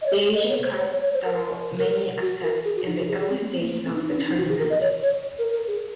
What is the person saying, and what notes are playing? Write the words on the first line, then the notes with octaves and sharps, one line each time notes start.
The Asian Cup saw many upsets in the early stages of the tournament.
D#5
C#5
D#5
C#5
C5
C#5
C#5
C#5
C5
A#4
A#4
A#4
F#4
A#4
G#4
F#4
D#4
F#4
G#4
G#4
C4
A#3
C4
A#3
A#3
C4
D#4
D#4
C#4
D#4
F#4
G#4
A#4
D#5
C#5
C#5
A#4
A#4
G#4